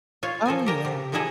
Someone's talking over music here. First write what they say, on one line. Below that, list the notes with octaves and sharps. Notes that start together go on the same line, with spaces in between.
Oh, yeah.
F4 C#5 F5
F3 A4 A#4 G#5
G4 A#4 G5
C3
C3 F3 D#4 E4 G#4 A4